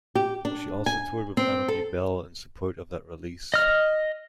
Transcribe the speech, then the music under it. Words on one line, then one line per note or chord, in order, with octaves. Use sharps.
She also toured with Anomie Belle in support of that release.
G4
D4
G#5
C4
A4
D#5 F6